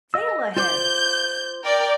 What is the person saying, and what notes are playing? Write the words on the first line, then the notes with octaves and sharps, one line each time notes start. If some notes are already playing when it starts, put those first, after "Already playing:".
"Sail ahead!"
D#5 E6
F4 C5 D6 G6
A#4 D5 G5